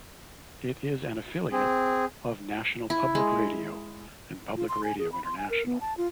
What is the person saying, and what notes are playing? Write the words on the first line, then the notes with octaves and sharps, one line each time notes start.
It is an affiliate of National Public Radio and Public Radio International.
C4 G#4
E4
G#3
F4
C6
G#5
G#4
B5
C6
G#5
A#4
B3
A5
F4